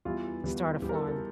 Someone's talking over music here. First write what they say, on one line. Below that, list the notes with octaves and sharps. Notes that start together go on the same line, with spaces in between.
Start a farm.
E2 E3 G3 F4
E2 E3 G3
E2 E3 G3 G4
A#4
A4
A4